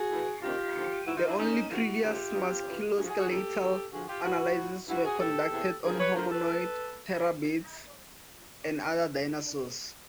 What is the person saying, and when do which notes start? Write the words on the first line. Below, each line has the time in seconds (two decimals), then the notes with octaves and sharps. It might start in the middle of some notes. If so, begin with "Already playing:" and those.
The only previous musculoskeletal analysises were conducted on homonoids, terror birds, and other dinosaurs.
Already playing: F#4 G#4
0.11 A2 E3
0.43 D2 C3 D#3 F4 G4
0.74 D#2 D3 F3
1.06 G#2 E3 E4 F#4
1.17 D#4 F4
1.28 D4 E4
1.38 D#2 D#3 C#4 D#4
1.70 G2 D3 F3 E4 F#4
2.02 D#2 C#3 F3 F4 G4
2.34 G2 E3
2.65 F2 C#3 E3
2.97 D2 D3 F3 F#4 G#4
3.08 F#4 G#4
3.18 F#4 G#4
3.28 D#2 C#3 F3 G4 A4
3.61 F2 D3 F3
3.92 G2 D3 F3 F#4 G#4
4.08 F4 G4
4.24 A2 E3 E4 F#4
4.56 A2 F3
4.88 G2 E3 E4 F#4
5.04 F#4 G#4
5.19 A2 E3 G4 A4
5.51 E2 C3 E3
5.83 G2 D3 F3 G#4 A#4
5.99 B4 C#5
6.15 D2 D3 F3 A#4 C5
6.31 A4 B4